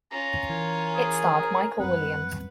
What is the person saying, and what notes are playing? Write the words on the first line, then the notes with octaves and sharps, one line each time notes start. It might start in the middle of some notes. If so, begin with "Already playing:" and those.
It starred Michael Williams.
C#4 F4 A#5
E3 A#4 G#5
G#4
F#2 G3 C4 B4 F#5